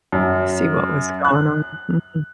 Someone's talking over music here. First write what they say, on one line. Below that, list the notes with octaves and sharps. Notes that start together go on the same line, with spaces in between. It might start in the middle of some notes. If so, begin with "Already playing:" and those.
See what was going on. Mhm.
F#2
F#6